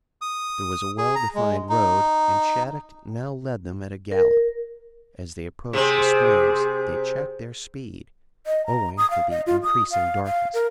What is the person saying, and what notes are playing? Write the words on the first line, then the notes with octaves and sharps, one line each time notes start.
There was a well defined road and Shattuck now led them at a gallop. As they approached the springs they checked their speed, owing to the increasing darkness.
D#6
G#4
A#5
G#3
D#4
A#4
C3 C4 G#4
D#5
A#5
D#6
F5
D#5
F4
D#6
F5
F5
A#4